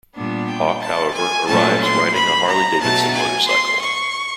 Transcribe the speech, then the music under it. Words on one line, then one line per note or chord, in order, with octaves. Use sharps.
Hawk, however, arrives riding a Harley Davidson motorcycle.
A#2 G3 B3 D4
G5
A5
G#5
A#2 F#3 A3 C#4 A5
C6
B5
A#5
B2 F#3 A3 A5
G#5
C6
C#6